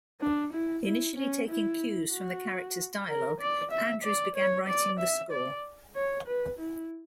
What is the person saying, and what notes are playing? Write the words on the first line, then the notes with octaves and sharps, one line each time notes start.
Initially taking cues from the characters' dialogue, Andrews began writing the score.
D4
E4
E4
C#4
E4
F#4
A#4
D5
E5
D5
C#5
D5
E5
D5
C#5
B4
E4